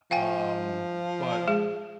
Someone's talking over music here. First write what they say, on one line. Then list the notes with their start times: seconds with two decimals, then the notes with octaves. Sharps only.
um, but
0.11 F3 F5 G5 G#5
1.48 G#3 G#4